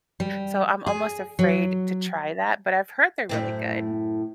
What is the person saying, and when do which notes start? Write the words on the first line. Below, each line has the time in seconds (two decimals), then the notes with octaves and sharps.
So I'm almost afraid to try that, but I've heard they're really good.
0.20 G3
0.86 G#4
1.39 F#3
3.29 F#2 A2 C4